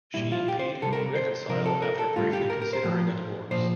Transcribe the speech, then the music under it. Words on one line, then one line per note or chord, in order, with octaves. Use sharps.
She and Pete reconcile after briefly considering a divorce.
A#2 G3 E4
F4
G4
C5
C3 G3 A4
A#4
C5
C3 F3 A#4
A4
A#4
A4
A2 G3 F4
G4
A#4
A#4
C5
A2 F3
A#2 F3 C5